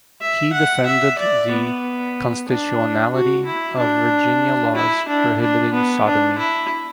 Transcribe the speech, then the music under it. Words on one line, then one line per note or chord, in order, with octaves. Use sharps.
He defended the constitutionality of Virginia laws prohibiting sodomy.
E5
F#5
E5
D5
B3
D4
F#4
E4
D4
E4
D4
D4
B3
D4
E4